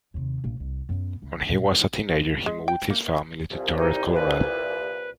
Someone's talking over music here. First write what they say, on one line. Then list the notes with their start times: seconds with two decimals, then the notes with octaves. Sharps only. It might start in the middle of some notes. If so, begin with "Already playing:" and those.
When he was a teenager he moved with his family to Turret, Colorado.
0.14 D#2 C3
0.44 A#1
0.60 C2
0.89 F#2 B3
1.22 C#2
1.49 A#2 G3
2.46 G#3
2.68 G5
2.90 A#3
3.52 C2 A#2
3.78 D#4
4.14 B4